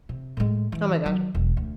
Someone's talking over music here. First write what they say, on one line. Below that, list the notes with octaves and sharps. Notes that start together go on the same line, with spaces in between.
Oh my gosh.
C3
A2 G#3
E3
D#3 F#3
E1
D2